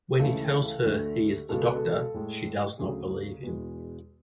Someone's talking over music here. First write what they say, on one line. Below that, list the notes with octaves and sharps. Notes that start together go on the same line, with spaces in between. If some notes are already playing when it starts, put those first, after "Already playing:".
When he tells her he is the Doctor, she does not believe him.
C#2 C#3 E3 A3 A4
D2 D3 A3
C#2 B2 G#3 A4
B4
A4
A2 G#3
D2 C#3 F#3 G#4
E2 B2 G#3